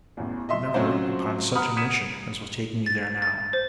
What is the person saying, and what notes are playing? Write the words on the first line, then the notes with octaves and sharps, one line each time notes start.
But never upon such a mission as was taking me there now.
A1 E2
D#5 E5 C6
F#3 C4 C#4 F4 F#4 C5
F#5 A#5 B5 D#6 F6
D#6 G#6 B6 C#7 D#7 E7
A6
A6
C5